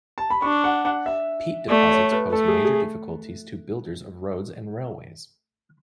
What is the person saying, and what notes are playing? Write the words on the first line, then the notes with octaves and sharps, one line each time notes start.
Peat deposits pose major difficulties to builders of roads and railways.
A5
B5
D4 C#6
F#5
F#5
E5
A3 D5
C#5
B4
A3 A4
G#4
G#4